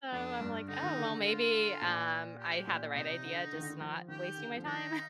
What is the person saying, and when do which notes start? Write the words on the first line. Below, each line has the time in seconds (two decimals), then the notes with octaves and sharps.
So, I'm like, "Oh, well, maybe, um, I had the right idea, just not wasting my time."
0.12 F2 D4
0.40 G2
0.68 D3 D#4
0.83 D#3
0.97 D3
1.26 F4
1.82 A#2
2.39 G4
2.67 A#2
2.95 C3 D#4
3.24 D3
3.53 D#3
3.61 D3
3.70 D#3
3.81 F3
4.08 D#3 G4
4.37 D3
4.56 F3
4.66 D#3 D#4